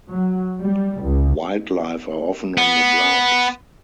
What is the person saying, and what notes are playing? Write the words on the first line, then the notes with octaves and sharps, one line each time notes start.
Wildlife are often on the grounds.
F#3
G3
C#2
B3